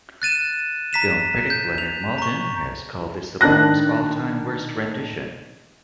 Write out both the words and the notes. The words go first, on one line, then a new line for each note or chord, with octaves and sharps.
Film critic Leonard Maltin has called this the poem's all-time worst rendition.
F#6 A6 D#7 E7
A#5 B6 E7
G6
F7
A#5 C#6
D#3 D4 D#4 A5 F#6 A#6